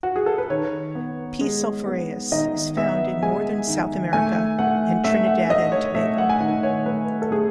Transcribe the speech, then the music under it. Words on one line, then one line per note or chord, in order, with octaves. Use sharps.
"P. sulphureus" is found in northern South America and Trinidad and Tobago.
F#4
G#4
A4
B4
D#3 C#5
B3
G#3
B3
D#3 D#5
B3 E5
G#3 G#5
D#3
A3 G#5
A3 F#5
A3 E5
F#5
A3 D#5
C#5
A3 E5
F#5
G#5
D#3 F#5
C#5
A3 B4
A4
A3 G#4